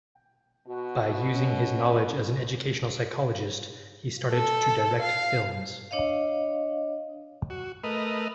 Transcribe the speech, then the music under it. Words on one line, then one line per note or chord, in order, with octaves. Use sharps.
By using his knowledge as an educational psychologist he started to direct films.
B2 F#4
C#4
A4
F5
D4 C#5 D#5 F5
F#4
A3 A#4 B4 D#5